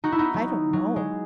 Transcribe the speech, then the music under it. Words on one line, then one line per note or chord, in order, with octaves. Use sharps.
"I don't know."
D#4 F#4
E4
B3 D#4
F#3
F#3
G#3